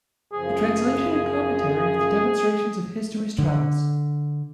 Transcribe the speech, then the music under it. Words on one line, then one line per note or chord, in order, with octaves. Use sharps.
A Translation and Commentary of the Demonstrations of Histories, trans.
F#2 C#3 F3 G#4
D3